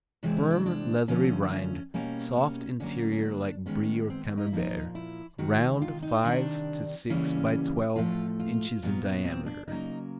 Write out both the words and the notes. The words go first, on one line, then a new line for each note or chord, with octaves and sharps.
Firm, leathery rind, soft interior like Brie or Camembert; round, five to six by twelve inches in diameter.
C3 E3 G#3 C4 C#4
C#4
D4
D4
D3 F3 A3 C#4
D4
C#4
B2 G3 A#3 C#4
C#4
D3 F#3 A#3 C#4
C#4
D4
D#3 G#3 B3 C#4
C4
D#4
E4
A#2 F3 A#3 D#4
E4
C3 D#3 G#3 F#4
F4
D#4
C3 D#3 G3 D4
C#3 E3 G3 A#3 C#4
A2 F3 A3 F4
F4
A#2 F#3 B3
C4
D4
C#3 F#3 A#3 D#4